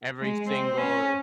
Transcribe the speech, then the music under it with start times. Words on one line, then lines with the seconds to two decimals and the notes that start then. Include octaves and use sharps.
every single
0.21 G#3
0.48 C4
0.78 C#4